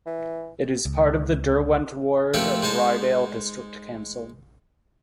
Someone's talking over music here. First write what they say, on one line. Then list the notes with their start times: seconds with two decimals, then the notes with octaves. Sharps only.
It is part of the Derwent ward of Ryedale District Council.
0.06 E3
0.85 C#2
2.34 F3 A3 A#3 C4 G4 A4
2.62 G#3 D#4 C5 A5